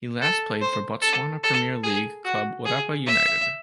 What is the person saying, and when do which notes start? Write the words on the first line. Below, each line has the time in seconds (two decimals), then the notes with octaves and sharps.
He last played for Botswana Premier League club Orapa United.
0.22 A4
0.61 C5
1.02 A4
1.43 A4
1.83 G#4
2.25 F#4
2.66 G#4
3.06 E5